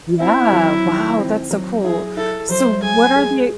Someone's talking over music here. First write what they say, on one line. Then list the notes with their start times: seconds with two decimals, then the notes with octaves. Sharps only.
Yeah, wow, that's so cool. So what are the
0.20 C4 E4
0.53 F#3
0.86 D#3
1.18 C4
1.51 F#3
1.84 E4 G#4
2.17 E4 A4
2.49 F#3 C5
2.82 G#4 G#5
3.16 G#3